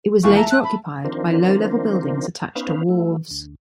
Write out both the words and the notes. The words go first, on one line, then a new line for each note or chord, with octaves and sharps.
It was later occupied by low level buildings attached to wharves.
D#2 E3 F4 C#6
E5 A5 A#5
F#6
B5
D#3 F3 C4 D4 A#4 C5
B3 C#4 D#4 B4 C5 F5
F#3 A3 E4
D2